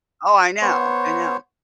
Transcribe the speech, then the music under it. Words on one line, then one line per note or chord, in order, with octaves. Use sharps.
Oh, I know, I know.
B3 C5 C#5